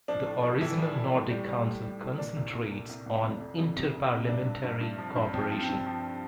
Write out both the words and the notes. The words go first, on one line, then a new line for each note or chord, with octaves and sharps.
The original Nordic Council concentrates on inter-parliamentary cooperation.
F3 D4
A2
F3
A2 E3 E4
F3
A2
A2
G3
G3
A2
G3
A2
A#2 D4
C2
C2
A#2
C2
C2
F2
F2
F2
C3
F2
C3
G2 D4
G2
G2
G2
F3
G2
F3 C4
F3
C4
G2
F3 C4